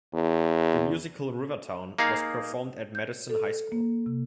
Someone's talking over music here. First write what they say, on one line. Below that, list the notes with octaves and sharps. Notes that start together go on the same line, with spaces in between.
The musical, "Rivertown", was performed at Madison High School.
E2
A#3 D#4 G#4 F5
G6
A4
A#3
C3